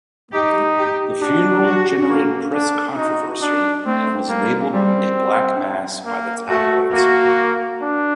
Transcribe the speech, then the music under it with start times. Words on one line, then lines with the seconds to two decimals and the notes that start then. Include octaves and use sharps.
The funeral generated press controversy, and was labelled a Black Mass by the tabloids.
0.34 D#4 G4
0.78 G4
1.21 D4 F#4
1.65 F#4
2.09 A#3
2.54 D4
2.97 D#4 F#4
3.41 D4
3.86 A3 C4
4.29 G3 A#3
4.73 G3 C4
6.06 A#3
6.49 A3 F#4
6.93 A#3 F#4
7.82 D4